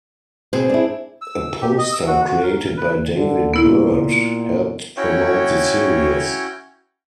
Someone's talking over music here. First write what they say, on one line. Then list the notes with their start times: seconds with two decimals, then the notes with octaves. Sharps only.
A poster created by David Byrd helped promote the series.
0.53 B2 C4 G#4
0.69 D4 E4
1.22 E6
1.62 G4
1.78 D#5
1.92 E6
2.07 F#4
2.28 F#4
2.43 A#4
2.77 B4
3.17 D3
3.54 A#2 B3 E4
4.97 C#4 E4 F#4 C#5 G5